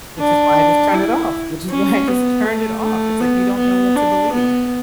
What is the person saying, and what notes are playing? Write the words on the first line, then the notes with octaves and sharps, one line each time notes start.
Which is why I just turned it off, which is why I just turned it off, it's like you don't know what to believe.
D4
E4
C#4
B3
A3
A3
B3
B3
D4
B3